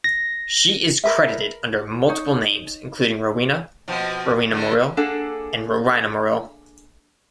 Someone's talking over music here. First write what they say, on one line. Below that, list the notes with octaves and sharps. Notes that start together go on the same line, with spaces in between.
She is credited under multiple names, including Rowena, Rowena Morrill, and Rowina Morril.
A#6
A#4 B4 E5
D#4 C#5
B2 F3 C4
G2 D3 A3
A#3 D4 G#4 A4 F#5